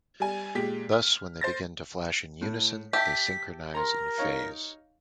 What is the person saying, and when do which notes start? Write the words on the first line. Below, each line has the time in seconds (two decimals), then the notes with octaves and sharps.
Thus, when they begin to flash in unison, they synchronize in phase.
0.20 G3 G#5
0.55 A#2 G#3 G4 B6
0.92 F6
1.41 C5 A6 A#6
2.41 A2
2.93 G4 E5 A5 B6
3.74 A#4 A#5 C6
4.18 D#4 C#5 F5